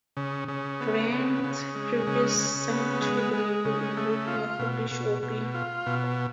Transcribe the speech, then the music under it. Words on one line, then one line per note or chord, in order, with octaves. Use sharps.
Bands previous signed to the label include Mo-Ho-Bish-O-Pi.
C#3
C#3
B3
C#3
C#3
G#3
C#3
C#3
B3
G#3
G#3
C#3
A3
F4
B2
B2
B2
F4
B2